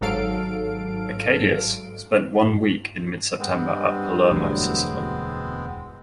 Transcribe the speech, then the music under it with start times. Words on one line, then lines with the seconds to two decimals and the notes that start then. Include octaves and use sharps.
"Achelous" spent one week in mid-September at Palermo, Sicily.
0.01 G#1 G#2 F#3 A4 F5 D7
3.39 G2 G#3 B3 C4
4.32 E1 D2 F#3